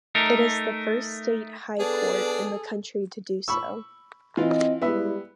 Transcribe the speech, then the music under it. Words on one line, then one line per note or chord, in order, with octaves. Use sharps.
It is the first state high court in the country to do so.
A3 D#4 A#4
B3 D4 G#4 A4 D5
B5 C#6 E6
E3 C4 F4 D#5
G3 G#3 B3 E4 E5